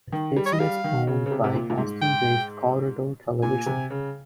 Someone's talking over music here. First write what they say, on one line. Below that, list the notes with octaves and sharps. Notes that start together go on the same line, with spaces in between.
The station is owned by Austin-based Corridor Television.
D#3
G3
C#5
D#5
G3 F5
D#3
C#3
C#3
C3
C3
A#2
A#2
G#2
G5
A#2 G#5
C3
C#3